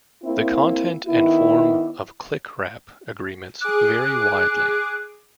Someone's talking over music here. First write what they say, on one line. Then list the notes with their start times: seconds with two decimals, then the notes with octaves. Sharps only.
The content and form of clickwrap agreements vary widely.
0.24 A#3 C4 E4
1.07 D#3 B3 E4
3.61 G#4 D6 F#6